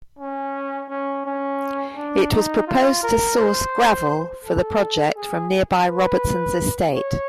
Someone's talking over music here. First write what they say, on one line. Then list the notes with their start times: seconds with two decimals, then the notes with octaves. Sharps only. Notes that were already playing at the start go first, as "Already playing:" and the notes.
It was proposed to source gravel for the project from nearby Robertson's Estate.
0.19 C#4
0.89 C#4
1.25 C#4
1.96 D4
2.32 D#4
2.67 F4
3.03 A#4
3.38 C5
4.44 A4
5.16 G#4
5.88 B4
6.94 C#5